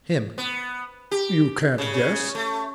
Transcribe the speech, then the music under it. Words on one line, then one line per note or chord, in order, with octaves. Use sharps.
HIM: You can't guess?
B3
G4
C#3
C#3
A3